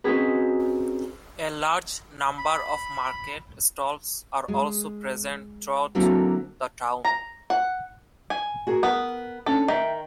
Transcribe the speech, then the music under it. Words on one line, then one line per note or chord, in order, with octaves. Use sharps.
A large number of market stalls are also present throughout the town.
C4 C#4 D#4 F#4 G#4 B4
B5
G#3
D3 F#3 A#3 C4 E4 A4
A#5
F#5
G#5
F#4 G#4 A#4
B3 A#4
C#4 D4 A4
D#3 E5 G5